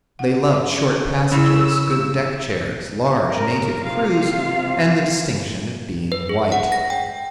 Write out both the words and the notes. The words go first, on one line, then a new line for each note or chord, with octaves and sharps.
They loved short passages, good deck-chairs, large native crews, and the distinction of being white.
F#5
C#4
C#3 E4 G#4 B5 E6
A#4
C3 F4 F5
B4
G#4
F#5
A#6
G5